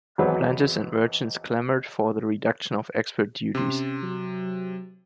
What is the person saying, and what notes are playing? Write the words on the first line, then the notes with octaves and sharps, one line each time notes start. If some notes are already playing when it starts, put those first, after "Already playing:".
Planters and merchants clamoured for a reduction of export duties.
G#1 E2 F#3 B4 C5
C3 C#4 C6
F#3